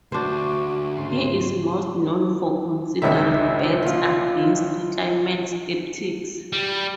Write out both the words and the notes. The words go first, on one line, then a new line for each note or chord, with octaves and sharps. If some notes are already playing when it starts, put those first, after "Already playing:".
He is most known for considering bets against climate skeptics.
D2 D4 F#4 C5
G#2 C#3 C6
G#1 C#2 D#3 G#3 E5
F3 F4
G3